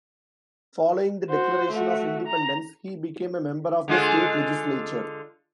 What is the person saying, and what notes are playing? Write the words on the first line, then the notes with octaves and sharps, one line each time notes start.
Following the declaration of independence, he became a member of the state legislature.
F#4 C5
A3 F#4
A#5
D3 G#3 F4